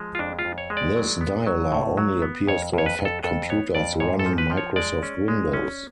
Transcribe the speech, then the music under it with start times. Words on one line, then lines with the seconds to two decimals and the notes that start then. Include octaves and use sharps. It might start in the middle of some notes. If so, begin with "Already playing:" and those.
This dialer only appears to affect computers running Microsoft Windows.
Already playing: F3 G#3
0.15 F4
0.19 F2 D4
0.39 F4
0.45 F2
0.58 C#5
0.70 G#3
0.77 D5
0.96 F#3
1.21 B3
1.46 F#3
1.72 A2
1.97 F#3
2.22 B3
2.48 F2 C#5
2.73 F2 C#5
2.86 B4
2.99 F2
3.05 A4
3.24 F2 A4
3.50 B3 C#5
3.75 F2 D5
4.00 G#2 C#5
4.19 A4
4.26 F3
4.38 B4
4.51 F3
4.57 C#5
4.76 G#3 D5
5.03 C#4
5.28 G#3
5.53 C#4